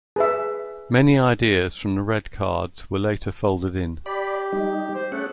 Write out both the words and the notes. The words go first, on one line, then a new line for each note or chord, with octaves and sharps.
Many ideas from the red cards were later folded in.
G#4 B4 E5
G4 D5 B5
G3 D#4
C5
A3 C#4 G#4 F#5